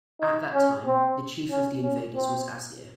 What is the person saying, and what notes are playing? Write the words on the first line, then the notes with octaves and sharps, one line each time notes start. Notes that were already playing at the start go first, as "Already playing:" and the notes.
At that time, the chief of the invaders was Asgeir.
D#4
C#4
C4
C#4
C#4
C4